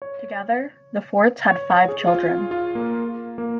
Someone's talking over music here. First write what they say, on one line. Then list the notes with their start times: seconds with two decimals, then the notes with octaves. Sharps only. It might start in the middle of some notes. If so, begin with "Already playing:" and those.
Together, the Fordes had five children.
0.02 C#5
1.51 C#5
1.70 C#5
1.88 G#4
2.07 F4
2.26 F4
2.51 F4
2.75 A#3
3.38 A#3